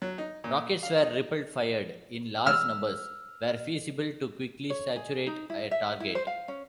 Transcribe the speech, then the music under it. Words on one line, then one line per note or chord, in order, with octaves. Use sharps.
Rockets were ripple-fired in large numbers where feasible to quickly saturate a target.
F#3
D#4
A#2
F5
D#4
E6 F6
C#5
G#4
D#4
E4
E5
E4
C5
F5
C#4